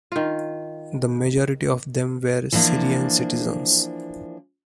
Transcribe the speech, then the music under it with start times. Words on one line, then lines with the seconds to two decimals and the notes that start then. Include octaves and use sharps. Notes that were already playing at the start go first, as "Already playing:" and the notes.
The majority of them were Syrian citizens.
0.12 D#3 F4
2.52 E3 F3 A#3 D4